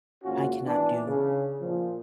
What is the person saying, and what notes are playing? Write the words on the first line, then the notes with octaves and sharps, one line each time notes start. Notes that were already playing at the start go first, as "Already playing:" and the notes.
I cannot do
G#1 A#3 C#4 F4 F#4
E3 B3 D4
C#3
A#2 F3